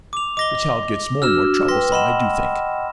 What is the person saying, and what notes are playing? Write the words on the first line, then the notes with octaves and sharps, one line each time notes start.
The child gets more and more troublesome, I do think.
D6 F7
D#5 D6 A#6 G7
D4 F#4 E6 F6 E7
B4 G5 C6 A#6
D#5 F#5 G5 B5 C6 E7